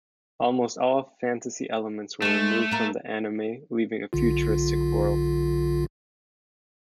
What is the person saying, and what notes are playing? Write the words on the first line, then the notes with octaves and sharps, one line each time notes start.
Almost all fantasy elements were removed from the anime, leaving a futuristic world.
G#3 A3 A4
A#3 A#4
B1 D3 F4